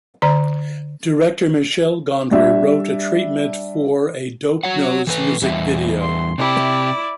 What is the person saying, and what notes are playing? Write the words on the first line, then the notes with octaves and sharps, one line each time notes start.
Director Michel Gondry wrote a treatment for a "Dope Nose" music video.
D3 D5 A#5
G3 D4 E5
F#4 C#5 F#5
E3 A4 B4
E2 G3 E5
C6
C3 E4 G4 D5